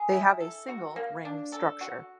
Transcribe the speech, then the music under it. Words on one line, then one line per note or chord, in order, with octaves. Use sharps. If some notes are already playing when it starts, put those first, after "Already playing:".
They have a single ring structure.
Already playing: G#4
E4
A4
F#4
A#3
D4
A4
F#4